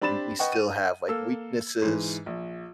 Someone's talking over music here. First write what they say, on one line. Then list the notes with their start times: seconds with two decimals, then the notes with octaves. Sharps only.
we still have, like, weaknesses
0.01 C4 D4 G4 B5 A6 E7
0.39 B4 D#5 F#5 G5 C#6
0.52 D#7
1.08 A#3 A4 E6
1.82 G#2 E3
2.26 A#1